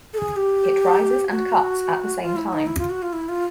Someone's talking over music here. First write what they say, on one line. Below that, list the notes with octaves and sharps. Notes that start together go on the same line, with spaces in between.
It rises and cuts at the same time.
A4
G#4
G4
F#4
F4
E4
D#4
E4
F4
F#4
F4
E4
F4